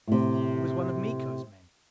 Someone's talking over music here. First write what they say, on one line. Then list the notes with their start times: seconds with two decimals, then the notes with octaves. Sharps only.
He was one of Miko's men.
0.07 A2 C3